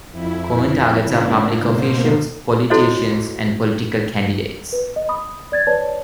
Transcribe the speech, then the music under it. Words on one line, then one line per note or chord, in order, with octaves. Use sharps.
Common targets are public officials, politicians, and political candidates.
F2 E4
G#2 C#3 A#3 D4 E4
G#2 B2 A#3 C5
E4 F#4 A4 C5 C#5 D#5
B4
D#5
B5 D#6
D5 G#6 A6
B4 C#5 D5 A5